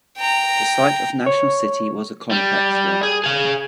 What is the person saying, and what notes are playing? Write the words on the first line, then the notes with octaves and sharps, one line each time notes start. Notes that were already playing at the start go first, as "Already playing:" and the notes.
The site of National City was a complex one.
G5 A#5
C#5
G3
G#4
G#4 F5